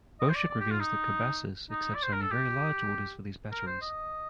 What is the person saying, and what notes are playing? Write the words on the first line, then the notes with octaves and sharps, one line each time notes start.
Boschert reveals that Cobasys accepts only very large orders for these batteries.
D#5
C5
D5
D5
G4
F4
D#4
D#4
D5
C5
A#4
A4
G4
A#4
C5
D#5